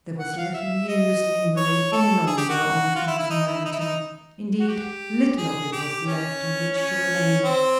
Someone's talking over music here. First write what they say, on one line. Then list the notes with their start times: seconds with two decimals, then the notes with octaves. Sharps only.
There was little use lingering any longer on Phantom Mountain--indeed little of it was left on which to remain.
0.19 F#5
0.37 F5
0.54 E5
0.88 D#5
1.57 C#5
1.92 A4
2.27 G#4
2.38 G4
2.49 F#4
2.96 F4
3.07 E4
3.19 E4
3.30 D#4
3.47 E4
3.65 D#4
3.72 E4
3.80 D#4
4.60 F#4
4.68 G4
5.37 G#4
5.72 G4
6.07 C#4
6.75 C#4
7.44 C4